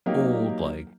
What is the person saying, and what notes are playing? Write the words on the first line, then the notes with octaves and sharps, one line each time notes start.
old, like,
F#3 A#3 D#4 G4